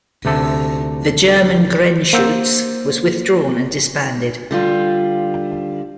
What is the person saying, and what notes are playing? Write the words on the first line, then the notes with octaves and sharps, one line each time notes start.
The German "Grenzschutz" was withdrawn and disbanded.
D2 C3 A3 A4
A#3 C5 F#5 E6 G6
D3 G3 F4